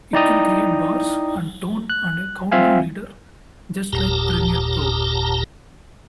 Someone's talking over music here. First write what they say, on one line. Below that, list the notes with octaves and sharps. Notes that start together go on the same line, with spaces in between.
It can create bars and tone and a countdown leader, just like Premiere Pro.
D#4 E4 D5 G5 A#5 D#6
F#6
C4 F4 E5 F5 G#5
F#1 D#2 A#2 G4 A5 A#5